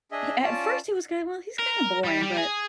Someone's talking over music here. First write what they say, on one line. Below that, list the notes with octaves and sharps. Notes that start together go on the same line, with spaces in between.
He at first, he was kinda, "Well, he's kinda boring," but,
D4 G#4 D#5 E5
C#4 F4 D5 A5
A#4
G3
G3
G#4